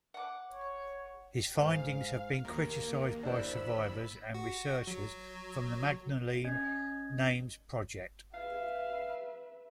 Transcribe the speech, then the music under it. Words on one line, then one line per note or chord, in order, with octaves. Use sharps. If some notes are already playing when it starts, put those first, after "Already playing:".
His findings have been criticised by survivors and researchers from the Magdalene Names project.
F#5 D6
C#5
F2 G#2 F5
D#2 A#3 A#4
D4 E4 C5 B5 E6
F#4
F#3
C#4 D#5 G#6
B4 E5 F5